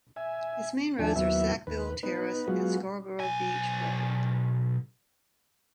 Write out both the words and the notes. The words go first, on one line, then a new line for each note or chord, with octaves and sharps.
Its main roads are Sackville Terrace and Scarborough Beach Road.
E5 G#5
D#2 F3 D4 E4 A4 G#5
D#2 F#3 B3 E4 E5
D#2 B4
B3 D#4 B4
F#3 G#3 B3 F4 F#4
B1 G#5